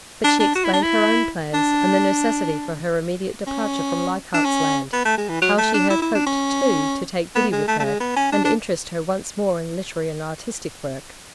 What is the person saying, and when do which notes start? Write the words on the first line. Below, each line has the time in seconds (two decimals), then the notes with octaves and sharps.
But she explained her own plans and the necessity for her immediate departure from Leichardt's Land--how she had hoped, too, to take Biddy with her and interest her once more in literary and artistic work.
0.24 D4
0.40 D4
0.56 F#4
0.65 E4
0.73 D4
0.82 E4
1.54 D4
3.47 C#4
4.34 D4
4.45 C#4
4.93 B3
5.05 A3
5.18 G#3
5.29 E3
5.42 F#3
5.58 A3
5.74 D4
5.90 E4
6.02 E4
6.15 D4
6.26 C#4
7.35 B3
7.52 G#3
7.68 A3
7.80 A3
7.84 G#3
8.00 B3
8.17 C#4
8.32 D4
8.45 D4